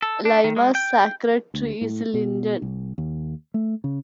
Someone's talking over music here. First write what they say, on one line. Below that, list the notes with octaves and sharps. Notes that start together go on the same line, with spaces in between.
Laima's sacred tree is the linden.
A4
D4
D#3
G#3
G5
D2
A2
B2
C2
D#2
A3
C#3